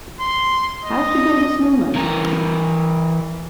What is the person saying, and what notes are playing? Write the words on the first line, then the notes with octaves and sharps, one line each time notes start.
How to build a snowman.
C6
D#5
E3 A#4